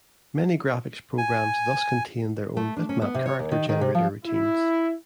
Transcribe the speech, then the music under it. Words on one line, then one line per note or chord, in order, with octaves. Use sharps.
Many graphics programs thus contained their own bitmap character generator routines.
G#5
A3
D4
C#4
B3
C3
C#5
D#2
D#3
D#3
C3
F3
E4